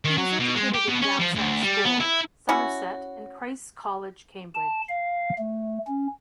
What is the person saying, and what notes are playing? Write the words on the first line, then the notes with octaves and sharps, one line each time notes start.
He was educated at Downside School, Somerset, and Christ's College, Cambridge.
D#3
F#3
B2
G#3
G4
B2
C#4
F3
D2
G3
B3
E4
C#4 E4 F#4
A5
F5
A3
C#4